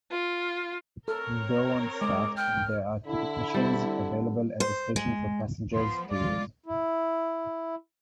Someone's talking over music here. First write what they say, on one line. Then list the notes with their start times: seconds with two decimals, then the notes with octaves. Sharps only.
Though unstaffed, there are ticket machines available at the station for passengers to use.
0.11 F4
1.08 C4 A4 A#4 C#5 F6
2.01 G#3 G#4 D6
2.37 G5 F6
3.08 D3 E4
3.54 G3 C4
4.60 C5
4.96 G#3
5.73 F3 B3 C6
6.09 G#3 F4 D5
6.66 E4